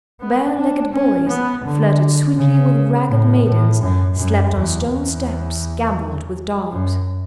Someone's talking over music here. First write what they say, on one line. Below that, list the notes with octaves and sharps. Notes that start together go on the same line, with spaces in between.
Bare-legged boys flirted sweetly with ragged maidens, slept on stone steps, gambolled with dogs.
B3
D4
C#4
B3
D3
C#3
A2
A2
F#2
F#2
E2
E2
F#2